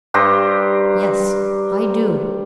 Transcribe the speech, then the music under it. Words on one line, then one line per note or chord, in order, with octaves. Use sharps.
"Yes, I do."
G2 G4 C5 A#5